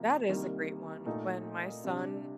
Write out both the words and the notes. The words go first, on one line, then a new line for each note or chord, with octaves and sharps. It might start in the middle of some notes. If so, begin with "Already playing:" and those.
That is a great one. When my son
Already playing: C3 F3 A#3
C2 C3 D#3 G3 A#3
A#2 A3 D#4
C3 G3 D4